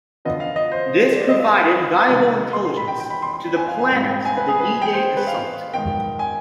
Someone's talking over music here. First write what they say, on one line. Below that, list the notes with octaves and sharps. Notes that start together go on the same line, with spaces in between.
This provided valuable intelligence to the planners of the D-Day assault.
D3 F3 B3 F4 D#5
F5
D#5
C5
D5
D#5
F5
B5
C3 D#3 G3 B3 D#4
C6
C6
B5
G5
G5
B5
C6
C6
B5
G#5
F5
G#5
G#2 G3 C4 G5
F5
G#5
B4
G#4
B4
G5
C5
B4
F5
G#2 D#3 B3 G5
G#5